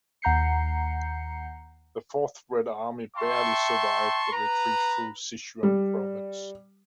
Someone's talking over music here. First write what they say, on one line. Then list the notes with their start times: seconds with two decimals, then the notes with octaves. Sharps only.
The Fourth Red Army barely survived the retreat through Sichuan Province.
0.22 D#2 F#5 A#5 G6 C7 C#7
3.16 E5 G5 A5 C6 C#6
4.32 B4 A#5
5.63 G3